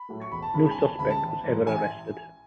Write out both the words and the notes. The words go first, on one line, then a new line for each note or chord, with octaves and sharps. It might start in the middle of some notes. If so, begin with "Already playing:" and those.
No suspect was ever arrested.
Already playing: B5
A2 F#3 A3
C#6
E1 B5
A5
D2 C#3 G#3 B5
B5
G#5
E1 A5
D2 C#3 G#3 B5
A5
A1
G#2 E3
A1 G#5